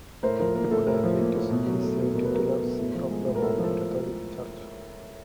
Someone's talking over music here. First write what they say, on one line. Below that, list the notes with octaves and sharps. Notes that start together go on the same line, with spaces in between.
Hippo Diarrhytus is a titular see of the Roman Catholic Church.
A2 A#4 C5
F3 A#4
A#3 A#4
A2 A4
A2 A#4
F3
A#3
A2
B2
F#3
A3
B2
B2 A#4
B4
F#3 A#4
A3
B2
A2
F3
G#3
A2
A#4
A2 A4
F3
A4